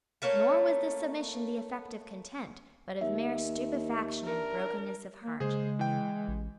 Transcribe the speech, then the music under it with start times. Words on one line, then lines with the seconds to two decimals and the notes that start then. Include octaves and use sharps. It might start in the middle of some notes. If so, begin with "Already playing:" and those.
Nor was this submission the effect of content, but of mere stupefaction and brokenness of heart.
0.22 A3 A#3 C#4 C#5
3.01 D#2 E5
4.24 D4 A#4
5.24 A#3
5.40 C#3 G#3 G#4 C5
5.79 E3 G5
6.28 A1